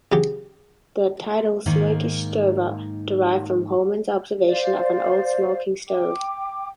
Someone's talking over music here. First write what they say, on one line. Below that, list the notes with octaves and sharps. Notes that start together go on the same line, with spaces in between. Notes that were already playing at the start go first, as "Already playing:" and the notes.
The title "Smokey Stover" derived from Holman's observation of an old smoking stove.
C#3 F#3 G4
G#2 D#3 A#3
C5 D5 F5
G5 D6